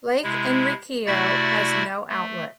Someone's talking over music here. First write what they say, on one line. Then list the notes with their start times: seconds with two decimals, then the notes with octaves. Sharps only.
Lake Enriquillo has no outlet.
0.23 C3 G#3 E4
1.06 C3 A3 E4 F#4 D5 A6
2.09 A3